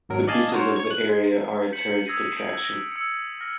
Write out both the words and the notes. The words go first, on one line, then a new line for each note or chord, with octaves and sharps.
The beaches of the area are tourist attraction.
G#1 F#3 A#4
D5 D#5 F5 G#5 A5
F#4 A#4 C5 C#5
C#5 G#6
F#6
G#3
G6 B6 C#7 F#7
D#6 E6 G#6 A#6 C7 D#7
C#7 D7
A#6
E6 C#7
F6 A#6